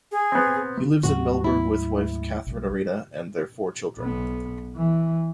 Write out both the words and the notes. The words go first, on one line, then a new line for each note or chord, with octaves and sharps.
He lives in Melbourne with wife Catherine Arena and their four children.
G#4
B3 C4
D2 G#2 F#3 F#4
E4
B1 G2
B1 B3
E3